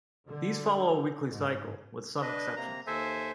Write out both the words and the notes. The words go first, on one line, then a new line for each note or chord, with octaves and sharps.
These follow a weekly cycle, with some exceptions.
D3
G#2
D4 B4 D#5
C3 A#3 A#5
D#2 A4 C5 E5 G#5